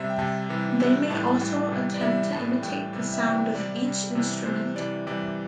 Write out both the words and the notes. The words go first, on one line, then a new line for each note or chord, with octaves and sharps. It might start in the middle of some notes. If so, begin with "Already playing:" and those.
They may also attempt to imitate the sound of each instrument.
Already playing: C3 G3 E5
G5
C3 G3 A5
C3 E3 G3
C3 E3 G3
A2 E3 G3 A5
A5
A2 E3 G3
C3 E3 G3
D5
C3 E3 G3 E5
A2 E3 G3 A5
A2 E3 G3 G5
C3 E3 G3
E5
C3 E3 G3 G5
C3 G3 D5
C3 G3
C3 E3 G3
C3 E3 G3 C5
C3 E3 G3 D5
C3 E3 G3 D5